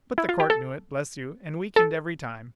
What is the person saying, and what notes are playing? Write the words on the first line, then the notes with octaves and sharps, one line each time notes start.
But the court knew it, bless you, and weakened every time!
E4
F4
G4
A4
A4